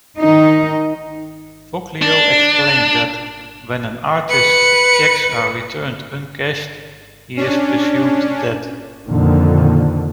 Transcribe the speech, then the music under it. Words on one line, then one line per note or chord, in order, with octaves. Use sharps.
Foglio explained that When an artist's checks are returned uncashed, he is presumed dead.
D#3 D#4
D4
B4 C#7
C#4 D4
F2 A#2 D3 D#3